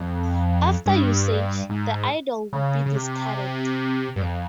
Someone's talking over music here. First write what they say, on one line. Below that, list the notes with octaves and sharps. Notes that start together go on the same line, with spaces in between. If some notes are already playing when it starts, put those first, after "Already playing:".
After usage, the idol would be discarded.
Already playing: F2
G2
G#2
C#3
C#3
C3
G2
F2